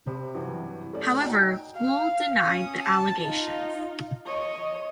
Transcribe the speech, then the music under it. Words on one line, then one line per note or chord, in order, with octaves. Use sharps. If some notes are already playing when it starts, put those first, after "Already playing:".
However, Gul denied the allegations.
C3 C5 B5
G2 C3 E3 F#3
A3 C#4 C#5 D5
D5
D#4 F#4 G5
F5
C#4 D#6
A5
D#4 F4
C#5 D#5